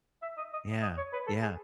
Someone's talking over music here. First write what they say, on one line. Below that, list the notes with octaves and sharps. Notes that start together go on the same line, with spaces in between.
Yeah, yeah.
E5
D#5
D#5
D#5
C#5
B4
A4
G#4